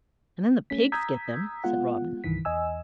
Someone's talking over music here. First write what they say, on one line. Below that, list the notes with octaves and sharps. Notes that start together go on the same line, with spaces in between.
"And then the pigs get them," said Robin.
A3 C#4 B6
A#5 D#6 E6 G6 G#6 B6
G#3 B3 F4 F#5
C2 G2 D#3 E3 B6
E2 D#5 G#5 E6